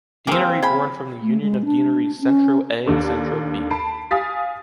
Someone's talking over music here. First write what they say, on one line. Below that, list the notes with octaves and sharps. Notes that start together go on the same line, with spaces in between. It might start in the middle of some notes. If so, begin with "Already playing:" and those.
Deanery born from the union of deaneries “Centro A” and “Centro B”.
A#3 C4 G4 G#4
G#4 G5 B5
A3
G#3
D4
C#4
D#2 D4 A4
A5 B5 C7 D7
F5 G#5 D#6 A6 B6